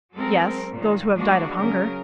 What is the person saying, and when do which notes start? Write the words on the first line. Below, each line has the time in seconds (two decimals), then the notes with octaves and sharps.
"Yes; those who have died of hunger."
0.15 F#3 G#3 C4 A4 A#4
0.73 A#2 D#3
1.14 F3 G#3 A#3 D4 F#4
1.59 C#3 F#3 C#4 A#4